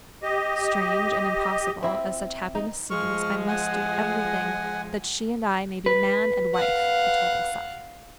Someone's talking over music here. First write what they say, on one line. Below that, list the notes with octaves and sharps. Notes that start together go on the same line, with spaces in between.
"Strange and impossible as such happiness seems, I must do everything that she and I may be man and wife," he told himself.
G4 D#5
C4 E4
D#4
F3 G#3 C#6 F6
F#5 G#5
B4
F5 F#5